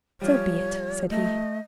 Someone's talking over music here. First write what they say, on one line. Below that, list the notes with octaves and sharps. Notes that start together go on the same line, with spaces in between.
"So be it," said he.
F3 G3 C#5
A3 D#5